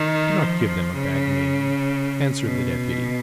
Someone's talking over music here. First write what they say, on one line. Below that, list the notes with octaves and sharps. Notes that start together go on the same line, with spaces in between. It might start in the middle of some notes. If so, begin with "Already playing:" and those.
"Do not give them a bad name," answered the Deputy.
Already playing: D#3
F3
C#3
B2